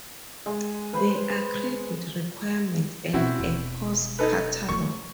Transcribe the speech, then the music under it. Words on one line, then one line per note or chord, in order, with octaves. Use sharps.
There are credit requirements and a course catalog.
G#3
B4 C5
B2 C4 E4 F#4
E1
D#4 A4 B4
C#3 A3 C#6